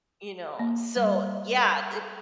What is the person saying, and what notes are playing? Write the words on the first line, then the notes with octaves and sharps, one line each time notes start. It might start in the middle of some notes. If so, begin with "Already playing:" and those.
you know. So, yeah, it
A#3
G3